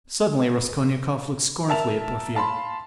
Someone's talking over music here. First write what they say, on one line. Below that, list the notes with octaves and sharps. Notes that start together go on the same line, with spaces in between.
Suddenly Raskolnikov looked scornfully at Porfiry.
A#4 E5 A5 F7
F5 A5 B5 C6